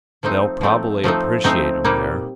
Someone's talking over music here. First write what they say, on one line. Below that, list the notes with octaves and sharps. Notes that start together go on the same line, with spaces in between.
They'll probably appreciate him there.
F3 A3 C4 D#4
F3 A3 C4 D#4
F3 A3 C4 D#4
F3 A3 C4 D#4
A#2 G3 A#3 D#4